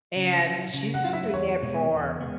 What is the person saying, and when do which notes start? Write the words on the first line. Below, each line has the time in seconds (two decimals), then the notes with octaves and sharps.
And she's been doing that for
0.16 C#3
0.45 F#3 E4
0.74 C#3
0.94 F#5
1.03 F#3 E4
1.13 E5
1.33 E2 C#5
1.63 B2 G#3 B3
1.92 E2
2.21 G#3 B3